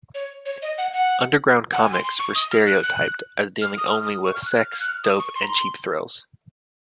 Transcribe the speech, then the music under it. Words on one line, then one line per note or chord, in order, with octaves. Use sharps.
Underground comics were stereotyped as dealing only with sex, dope and cheap thrills.
C#5
C#5
D#5
F#5
F#5
F#5
G#5
C6
C6
C#6
D#6
F6
F#6
F#6
F6
D#6
F6
D#6
C#6
F6
F#6
F6
F6
F#6
F6
D#6
C#6
C6
A#5
C6